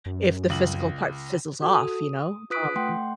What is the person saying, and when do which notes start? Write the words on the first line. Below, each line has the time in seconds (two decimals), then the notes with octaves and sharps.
if the physical part fizzles off, you know, um
0.06 F#2
0.50 C#2 F#7
1.62 F#4 A4
1.74 D#6
2.50 F4 B4 D#6 F#6 B6 D7
2.76 A3 F#5 G5 C6